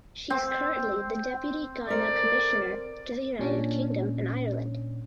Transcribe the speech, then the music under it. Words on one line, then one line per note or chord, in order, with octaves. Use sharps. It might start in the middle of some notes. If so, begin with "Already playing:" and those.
She is currently the deputy Ghana commissioner to the United Kingdom and Ireland.
C4
A4 A#4 C5 D5
A#2 C#4 D4